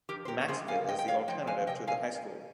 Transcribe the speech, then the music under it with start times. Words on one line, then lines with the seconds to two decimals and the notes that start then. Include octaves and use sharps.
Maxville is the alternative to the high school.
0.09 F2 G4 A#4
0.25 C5
0.28 G4 A#4
0.41 C#5
0.48 C#3 G3 A#3 G#4 C5
0.68 F5 G#5
0.88 G#2 D#5 G5
0.98 G5
1.08 C#5 F5
1.28 F3 G#3 D#5 G5
1.47 F5 G#5
1.67 C3 D#5 G5
1.87 F5 G#5